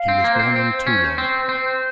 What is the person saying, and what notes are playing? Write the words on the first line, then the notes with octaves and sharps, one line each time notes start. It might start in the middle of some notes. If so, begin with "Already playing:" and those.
He was born in Toulon.
Already playing: F5
C4
C6
A#3
C5
C4
C4 C5
C5
C#4
C5
C4 C5
C5
C4
C5